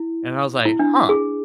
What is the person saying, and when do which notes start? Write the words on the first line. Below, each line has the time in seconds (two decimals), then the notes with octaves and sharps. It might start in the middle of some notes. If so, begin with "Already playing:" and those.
and I was like, "Huh,
Already playing: E4
0.65 E4
0.79 D4
1.09 G#4